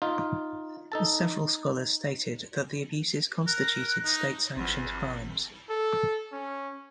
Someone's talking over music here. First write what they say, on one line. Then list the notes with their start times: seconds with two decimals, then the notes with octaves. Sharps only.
Several scholars stated that the abuses constituted state-sanctioned crimes.
0.02 D#4 F4
0.92 D#4 A4 A5
3.47 A#4 F#6
4.05 D#4
4.57 G#1 E2 F3 C4
5.70 A4
6.32 C#4